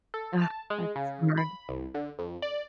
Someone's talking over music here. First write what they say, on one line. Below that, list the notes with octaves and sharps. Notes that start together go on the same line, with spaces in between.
Ah, that's hard.
A4
A5
G#3
C#3
B5
C2
D3
F2
D5